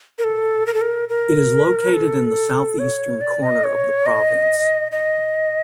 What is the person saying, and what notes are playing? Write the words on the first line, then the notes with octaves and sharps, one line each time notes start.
It is located in the southeastern corner of the province.
A#4
A4
A#4
A4
A#4
A#4
A4
C#5
D5
D#5
C#5
D#5
D#5